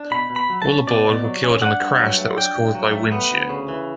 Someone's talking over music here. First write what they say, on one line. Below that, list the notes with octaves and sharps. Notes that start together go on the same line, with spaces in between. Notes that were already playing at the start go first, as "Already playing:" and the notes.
All aboard were killed in a crash that was caused by wind shear.
Already playing: D4
B2 B5
B2
B5
F#3
A5
C#4
B2 D5
B2
F#3
C#4
D4 F#5
G2
F#3
A3
D4 G5
G2
F#3
A3
B3
D2
C#3
E3